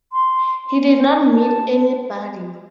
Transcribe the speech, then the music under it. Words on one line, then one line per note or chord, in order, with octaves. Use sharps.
He did not meet anybody.
C6
A5